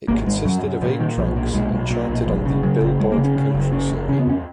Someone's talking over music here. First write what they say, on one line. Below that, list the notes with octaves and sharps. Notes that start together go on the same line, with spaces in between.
It consisted of eight tracks and charted on the "Billboard" country survey.
G#1 A#3
G#1 G#3
F#2 F#3
F#2
A#2 F3
A#2 D#3
B1 F3
A#2
B1 G#3
B1
A#2
B1
F#1 F3
C#3
C#3 F#3
F#1
F#1 G#3
A#3
C#3
C#4
C#3
F#1
C#3
F#1
C#3 C#4
B3
F2 C#4